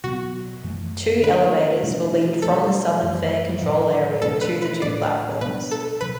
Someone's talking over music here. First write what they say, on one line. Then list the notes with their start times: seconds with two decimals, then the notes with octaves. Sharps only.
Two elevators will lead from the southern fare control area to the two platforms.
0.04 B2 F#3 B3 F#4
0.64 F#2 E3 A3
1.23 D3 A3 D4 B4
1.83 B2 A3 D4
2.42 B2 F#3 A3 D4 A4
3.03 F#2 E3 A3
3.62 A2 F#3 D4
4.22 B2 A3 D4 A4
4.41 B4
4.62 B4
4.82 A2 A3 D4 D5
5.41 B2 B3 D4 B4
5.71 A4
6.01 B2 F#3 B4